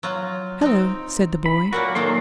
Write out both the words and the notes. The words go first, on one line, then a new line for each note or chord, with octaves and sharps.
"Hello," said the boy.
F#3 F4
C4 D#4
B5
A#2 F#3 A#3 F#4
D#3 F#3 A#3 D#4 A4 C6